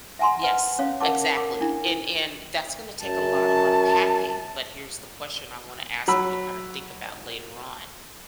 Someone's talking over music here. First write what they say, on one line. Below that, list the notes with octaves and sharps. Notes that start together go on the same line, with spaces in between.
Yes, exactly, and and that's gonna take a lot of unpacking, but here's the question I wanna ask you to kinda think about later on.
E5 F#5 G#5 A#5 C6
B4 F#5
C#4 C#5 F5
A#4 C#5 F#5 A5 D6
A#4 D6
D4 E4
F#2 A5
F#3 B5 E6